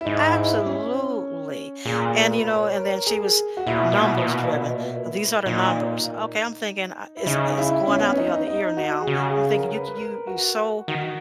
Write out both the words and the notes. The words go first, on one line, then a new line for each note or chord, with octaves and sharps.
Absolutely. And, you know, and then she was numbers-driven. "These are the numbers." Okay, I'm thinking, "I It's it's going out the other ear now." I'm thinking, "You g you you're so
E4
G#2 D#4
E4
C#4
A#2 G#4
A#4
B4
C#5
A#4
G#4
F#4
A#2 E4
B2
A#2
B2
A#2
B2
A#2
B2
A#2
B2
A#2
A#2 D#4
E4
C#3 D#4
E4
C#4
B3
C#4
D#4
D#4
F#4
G#4
C#3 F#4
G#4
A#4
B4
A#4
F#4
D#3 F#4